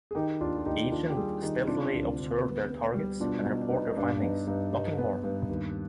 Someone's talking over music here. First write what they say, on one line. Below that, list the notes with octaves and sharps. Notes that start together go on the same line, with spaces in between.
Agents stealthily observe their targets and report their findings, nothing more.
G#4
D#3 D#4 G4
D#2 D4 F4
F4
D#2 D#4 G4
D#3 D4 F4
G4
G3 F4 G#4
D#3 D#4 G4
C3 D4 F4
D2
D2
B3
B3
G3
B2 D4 F4
B2 D#4
D4
B3 D#4
D#4
G2 D4
B3 D#4
G2 D#4
G2 D#4
B3
G2
D#2